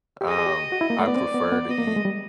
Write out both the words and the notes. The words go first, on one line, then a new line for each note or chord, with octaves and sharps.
Um, I prefer to eat
G4
G#4 D#5
G#4
G4
F#4
E4
A#3
A3 D5
B3
C4
B3
B3
B3 D#5
A#3
A3
G#3
G3